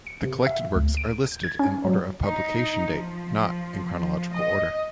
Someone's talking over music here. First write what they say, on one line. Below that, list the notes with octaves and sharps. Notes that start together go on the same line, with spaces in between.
The collected works are listed in order of publication date, not in chronological order.
C#7
C3
E5
D2
D7
G6
G#6
C#4
F#3
D#4
F3
D#5